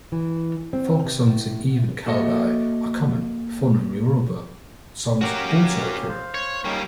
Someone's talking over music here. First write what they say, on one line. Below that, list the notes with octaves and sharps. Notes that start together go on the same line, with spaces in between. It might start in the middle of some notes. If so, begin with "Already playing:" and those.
Folk songs in Ewe and Kabye, are common, Fon and Yoruba songs also occur.
E3
C4
C3
A2
A3 A#3 F#4 A4 D#5 E5
A#3 C#4 F#4 G4 A#4
C5 F5
C#5
G3 A#3 C#4 D#4